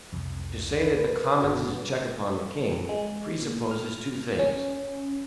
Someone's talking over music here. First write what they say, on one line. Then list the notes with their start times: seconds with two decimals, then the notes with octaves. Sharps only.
To say that the commons is a check upon the king, presupposes two things.
0.13 C2 F2
0.76 A#4 B4
1.41 G1 B3 F#4 B4
2.89 G#3
3.42 A#2
3.71 F6
4.39 C#4